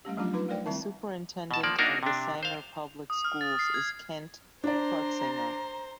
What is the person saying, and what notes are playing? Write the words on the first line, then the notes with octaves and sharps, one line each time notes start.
The superintendent of the Sanger Public schools is Kent Crutsinger.
G3 A3 C#4 G4
F3 F#3 A3 C#4 D4 F4
D#4 F4 B4 A#5
A3 A#4 C5 D5 G5
D#3 G3 C4 E4 E5 A5
B2 A5
F3 A#3 D5
A#3 D4 D#4 F#4 A#4
C3 D4
C5 F5
D#6
F6
A6
C7
G#6
D4 C5 D5 A#5